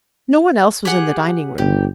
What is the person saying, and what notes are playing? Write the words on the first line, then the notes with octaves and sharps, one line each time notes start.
No one else was in the dining-room.
G4 G#4 F#5
G1 G4